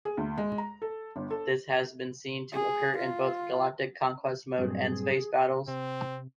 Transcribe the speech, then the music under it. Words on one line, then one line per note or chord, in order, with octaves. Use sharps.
This has been seen to occur in both galactic conquest mode and space battles.
G#4
D2
G#3
A#5
A4
G1
A4
G#4
F4
G2 A#2 F#3 C4 G#4
C3 C4